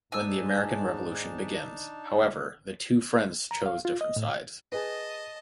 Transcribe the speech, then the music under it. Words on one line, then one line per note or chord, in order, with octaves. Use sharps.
When the American Revolution begins, however, the two friends choose different sides.
G#2 D4 D#4 G#5 A5 E6
A#5
F5
F4
D#5
A2
G#4 B4 D#5 A5